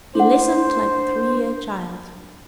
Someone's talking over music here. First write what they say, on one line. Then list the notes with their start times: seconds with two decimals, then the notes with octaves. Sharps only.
"He listened like a three-year child."
0.15 D4 E4 C5 F#5